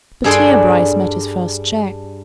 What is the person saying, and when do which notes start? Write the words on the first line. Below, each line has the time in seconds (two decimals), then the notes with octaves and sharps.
But here Bryce met his first check.
0.24 G2 D4 G#4 A4 D5 C6